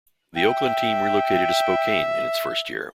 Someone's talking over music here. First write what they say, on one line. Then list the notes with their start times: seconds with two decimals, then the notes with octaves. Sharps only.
The Oakland team relocated to Spokane in its first year.
0.36 E5 G5